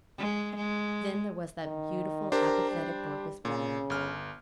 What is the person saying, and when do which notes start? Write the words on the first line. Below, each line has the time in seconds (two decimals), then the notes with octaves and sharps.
Then there was that beautiful apathetic Dorcas Brandon.
0.18 G#3
0.57 G#3
1.64 D#3
2.32 D4 G4 A#4 C5
2.71 G3
3.45 A#2 C#3
3.90 G1 F6